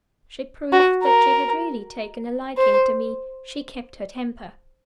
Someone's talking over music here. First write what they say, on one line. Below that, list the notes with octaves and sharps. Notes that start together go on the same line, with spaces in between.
She proved that she had really taken a liking to me: she kept her temper.
F#4
A#4
C5